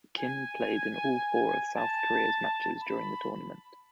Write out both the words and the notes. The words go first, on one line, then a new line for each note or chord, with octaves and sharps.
Kim played in all four of South Korea's matches during the tournament.
G#5
G#5
A5
B5